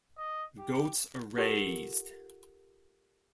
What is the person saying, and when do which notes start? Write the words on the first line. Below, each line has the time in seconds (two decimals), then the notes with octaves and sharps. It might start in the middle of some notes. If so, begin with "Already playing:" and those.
Goats are raised.
0.18 D#5
0.58 G4
1.38 D#4 F4 G4 A4 A#4 F#5